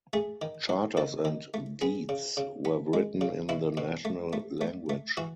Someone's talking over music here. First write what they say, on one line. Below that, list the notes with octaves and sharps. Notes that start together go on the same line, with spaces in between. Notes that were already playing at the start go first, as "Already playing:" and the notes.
Charters and deeds were written in the national language.
A3 G#4
D#3
F#3
D#3 A4
D#3
A3
B3 G#4
C#3
C#3
B3
G#3
C#3
B2 E4
B2
A3
A3
A3
A3
E3 F#4